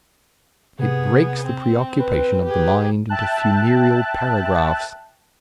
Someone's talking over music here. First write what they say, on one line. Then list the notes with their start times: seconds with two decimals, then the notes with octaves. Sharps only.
It breaks the preoccupation of the mind into funereal paragraphs.
0.79 C3 B3 G#4
1.46 C4
2.00 B4
2.45 G4 G#4
3.09 E5 G5 A5 F#6